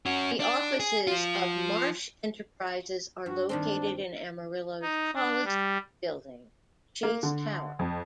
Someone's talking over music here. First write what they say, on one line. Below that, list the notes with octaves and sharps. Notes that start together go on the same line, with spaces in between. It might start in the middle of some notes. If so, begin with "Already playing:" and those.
The offices of Marsh Enterprises are located in Amarillo's tallest building, Chase Tower.
C#4 F#4
D4
G#4
F3 F4
G2 F#4
D#3 G3 C4 D4
D#4
D4
G3
A#3
D3
F2